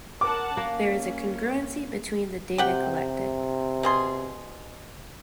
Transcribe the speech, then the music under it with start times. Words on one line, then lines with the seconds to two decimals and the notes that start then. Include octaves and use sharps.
There is a congruency between the data collected.
0.21 A#4 F#5 A5 D6
0.57 A#3 C#4
2.58 C3 G4 F#5 G5
3.83 B2 G#4 C6